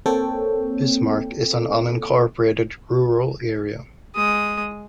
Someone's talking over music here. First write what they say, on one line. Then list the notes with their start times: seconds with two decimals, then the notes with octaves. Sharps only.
Bismarck is an unincorporated rural area.
0.06 A#3 C4 A4 C#5 G5
4.15 G#3 D#6